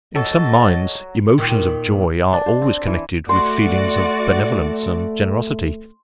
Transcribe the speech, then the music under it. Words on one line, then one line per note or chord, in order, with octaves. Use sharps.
In some minds, emotions of joy are always connected with feelings of benevolence and generosity.
F#3 A4 D#5 A5
A#2 D#3
D4
C5
C4
E3
A3 F#4 D5 C6